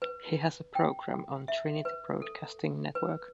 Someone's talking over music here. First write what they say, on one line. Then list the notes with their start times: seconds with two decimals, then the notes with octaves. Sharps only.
He has a program on Trinity Broadcasting Network.
0.02 B4
0.75 G5
1.48 E5
1.85 B4
2.22 A4
2.95 B4